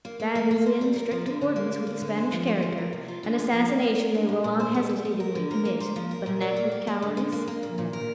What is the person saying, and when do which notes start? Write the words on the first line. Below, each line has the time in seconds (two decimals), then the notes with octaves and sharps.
"That is in strict accordance with the Spanish character; an assassination they will unhesitatingly commit, but an act of cowardice, never."
0.05 A#3
0.20 A#3
0.35 A#3
0.51 A#3
0.66 C5
0.81 G3
0.96 A#4
1.11 F3
1.26 D3
1.41 D3
1.56 A#3
1.72 A#3
1.87 D3
2.02 D3
2.18 C5
2.32 F3
2.47 C5
2.62 F3
2.78 A#4
2.93 C3
3.08 F4
3.23 D3
3.38 F4
3.53 F3
3.68 D5
3.83 F3
3.99 A#4
4.15 D3
4.29 A#2
4.44 A#2
4.60 C5
4.74 G3
4.89 G3
5.05 G3
5.20 A#4
5.35 D3
5.51 A#4
5.65 A#3
5.80 C5
5.96 F3
6.11 A#4
6.26 A#2
6.41 D5
6.56 A#3
6.72 G4
6.87 G3
7.02 D3
7.17 D3
7.32 A#3
7.47 A#3
7.63 A#2
7.78 A#2
7.93 A#4